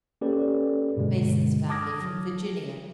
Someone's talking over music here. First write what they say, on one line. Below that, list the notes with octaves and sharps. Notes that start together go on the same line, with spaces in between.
Mason's family, from Virginia.
A#3 C#4 G4 A4 B4 D5
G2 B2 D3 G#3
A5 D6 D#6 F6 G#6 A#6
F#3